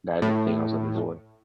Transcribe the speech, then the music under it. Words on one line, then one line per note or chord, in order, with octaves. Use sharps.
That, I didn't think I was gonna enjoy.
A2